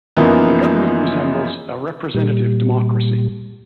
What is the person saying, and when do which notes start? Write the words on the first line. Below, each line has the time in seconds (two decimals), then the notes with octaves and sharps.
The government resembles a representative democracy.
0.16 F#2 E3 F3 A#3 B3 D#4
2.15 A#2 G3